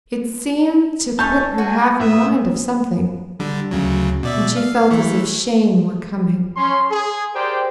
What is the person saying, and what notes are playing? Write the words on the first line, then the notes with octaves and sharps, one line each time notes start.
It seemed to put her half in mind of something, and she felt as if shame were coming.
A3 C#4 D#4 A5 G6
F#4 A#4 G#5
A2 A#4 E5 D#6
D3 G3
D2 C#3 F#3
B2 D5 E5
F5
E3 A3
C#4 C#5 C6
G#4
G4 G#4 A#4 C5 D5 G5